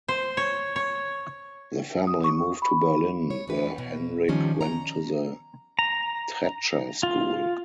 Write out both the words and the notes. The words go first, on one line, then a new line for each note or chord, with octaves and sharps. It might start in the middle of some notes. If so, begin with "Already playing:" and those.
The family moved to Berlin, where Henrik went to the Tretscher School.
C5
C#5
C#5
D#6
C#6
B5
C#5
E2 E3 B4
B2
D#3 F3 G3 C#4 D4
A#5
A#5
F4